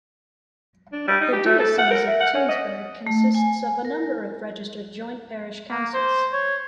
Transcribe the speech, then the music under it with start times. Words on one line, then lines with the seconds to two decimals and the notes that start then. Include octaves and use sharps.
The Diocese of Tunsberg consists of a number of registered Joint Parish Councils.
0.92 D4
1.08 G3
1.21 D#4
1.33 G4
1.45 A3
1.59 A4
1.78 F#5
1.91 A#4
2.07 E5
2.20 F#5
2.34 C#4
2.49 D#5
3.07 A3
3.35 G#5
3.85 A#4
5.71 A#3
5.94 C5
6.33 C#5